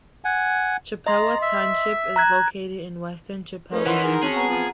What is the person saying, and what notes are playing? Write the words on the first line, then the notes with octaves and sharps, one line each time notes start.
Chippewa Township is located in western Chippewa County.
F#5 G#5
D#5 A#5 C6
E5
A#5 F#6 G#6
A3 C#4 D#4 A#4 B4
E3 E4 F#5 C6
D#4 G#4 A#4
C4 C#4 F#4 G#4 A5
B3 F#5 A#5
F3